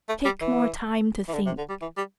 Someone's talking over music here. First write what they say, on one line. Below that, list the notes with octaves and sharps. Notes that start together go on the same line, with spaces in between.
Take more time to think.
A3
G3
E3
E3
D3
C3
D3
G3
E3
G3